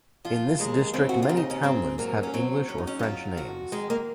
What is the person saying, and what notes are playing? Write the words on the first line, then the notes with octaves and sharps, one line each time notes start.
In this district, many townlands have English or French names.
F3 F4
D#2 G#3
C#3 C4
F#4
F4
D#2
D#4
C#4
G#2 C4
F#3 A#3
C#4
F#3 C4
G#2 C#4
D#4
C#4
D#4
F#3 F4
F2 F#4
D#3 G#3
A#3